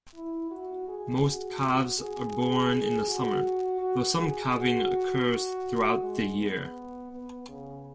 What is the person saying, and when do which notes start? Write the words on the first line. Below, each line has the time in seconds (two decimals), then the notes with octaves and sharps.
Most calves are born in the summer, though some calving occurs throughout the year.
0.15 E4
0.51 F#4
0.88 G#4
1.25 F#4
1.61 F#4
1.98 G#4
2.72 G#4
3.08 F#4
3.82 F#4
4.18 G#4
4.55 F#4
6.02 G#3
6.38 B3
7.12 B3
7.49 C#3